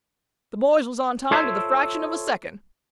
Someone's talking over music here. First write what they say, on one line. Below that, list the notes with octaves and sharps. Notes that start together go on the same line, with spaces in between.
The boys was on time to the fraction of a second.
F4 A4 C5 C#5 E5